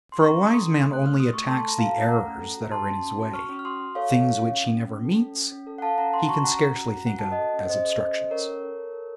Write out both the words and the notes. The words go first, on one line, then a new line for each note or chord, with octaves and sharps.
For a wise man only attacks the errors that are in his way; things which he never meets he can scarcely think of as obstructions.
C6
C#4 A#5 C#6
C#4
A4 C6 D#6
A4
A3
F#6
A3
F6
F#4 D#6
A3 C#6
A4 A5 C6
A4 A#5
F#4 F5 A5
C#4
A3 F#5 A#5
C#4
A4
F#4
F#4 A5 C6
C#4
C#4
F#4
F#4 C#6 F6
C#4
F6
F#4 C6 D#6
F#4
A4 C#5 F5
F#4
C#4
C#4
C#4
C#4
C#4
A4
C#4
C#4
C#4
A4
F#5
A4 F5 A5
C#4 F#5 A#5
C#4 A5 C6
F#4 A#5 C#6
C#4 F#5 A#5
C#4
F#4
F#4
C#4 F#5
F#4 A5
D#5 F#5
A4
C#4
C#4 C5 D#5
A4
C#4
A4
C#4 A#4 C#5
A4
A4
A4
A4